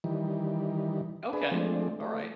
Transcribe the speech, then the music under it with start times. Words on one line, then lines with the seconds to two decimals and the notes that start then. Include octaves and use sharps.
Okay. Alright.
0.04 D#3 E3 G3
1.33 D4 G#4 B4
1.52 F3 G#3 A3 C4 D4
2.01 A3